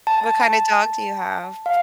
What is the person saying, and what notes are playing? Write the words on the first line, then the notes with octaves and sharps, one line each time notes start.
What kinda dog do you have?
A5
F5